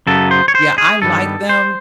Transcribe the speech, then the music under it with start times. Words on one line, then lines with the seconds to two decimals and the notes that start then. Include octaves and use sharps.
Yeah, I like them,
0.07 F#2 C#3 F#3 B3 A4
0.31 C5
0.48 C#5
0.55 C5
0.78 G#4
1.02 G2 D#3 G3 B3 A4
1.49 C5